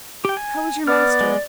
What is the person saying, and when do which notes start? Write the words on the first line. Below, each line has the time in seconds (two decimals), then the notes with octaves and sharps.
How is your master?
0.25 G4 G5
0.37 G#5
0.87 B3 D5 F6
1.21 G#3